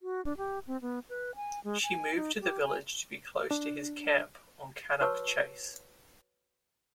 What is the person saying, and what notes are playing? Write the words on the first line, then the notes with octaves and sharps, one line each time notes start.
She moved to the village to be close to his camp on Cannock Chase.
F#4
D4
G4
C4
B3
B4
G#5
G#3
G#5
D#4
G4
G#5
D4
F#4 B4 C#5 A5 C#6 E6